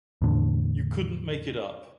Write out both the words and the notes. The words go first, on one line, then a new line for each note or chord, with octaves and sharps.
You couldn't make it up.
E2 A2 D3